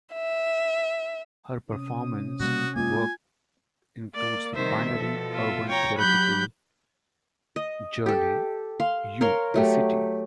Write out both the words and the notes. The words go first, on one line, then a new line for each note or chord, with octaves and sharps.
Her performance work includes the pioneering urban theatrical journey, "You-The City".
E5
C3 C#4 D#6
B2 G3 A#3 F#4
G#3 A#3 F4 G#5 D6
A#3 D5
C3 D#3 G3 C5 E5
B2 F3 A4
F4 E5
C#5 G5 A#5
F#3 G4 B5 F#6 G6
D#5
G4 A4
F5 C6
A#4 C#5 F5 C6
F#3 A3 G4